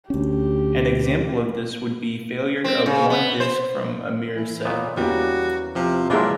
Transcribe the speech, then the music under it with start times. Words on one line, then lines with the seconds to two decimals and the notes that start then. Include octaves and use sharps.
An example of this would be failure of one disk from a mirror set.
0.10 D2 C#4 G4
2.64 C4
2.86 C#3
3.10 B3
3.40 C5
4.36 E3
4.65 A#2 B3 C#5 D#5
4.97 E2 G3 A#3 C#4 F#4
5.75 C3 F3
6.10 E3 F#3 G#3 D4 E4 F4 A#4